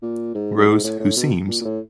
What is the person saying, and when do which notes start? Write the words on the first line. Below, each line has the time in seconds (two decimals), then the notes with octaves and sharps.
Rose who seems.
0.02 A#2
0.35 G#2
0.57 G2
0.67 G#2
0.84 A2
1.00 A2
1.16 B2
1.48 A#2
1.61 A#2
1.65 A2